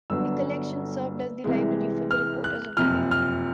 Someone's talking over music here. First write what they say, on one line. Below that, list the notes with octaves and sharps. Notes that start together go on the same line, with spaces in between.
The collection served as the library for the reporters of the paper.
G1 G2 D3 F#3 B3 E6
C2 C3 E3 G#3
F6
F#6
F#1 F2 C3 F3 F6
F6